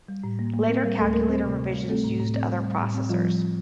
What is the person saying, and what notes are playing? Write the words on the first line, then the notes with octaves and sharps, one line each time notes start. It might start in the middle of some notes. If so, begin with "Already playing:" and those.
Later calculator revisions used other processors.
G3
A2
A#3
A#3
A#3 C4 A#4
G3 A#3 A#4
D2 A3 A4
G3 A#3 A#4
C4 C5
C3
C3
G3
A3 C4 A4
A2
A2
C4
G3
G3
A2
C4
F3 G3 F4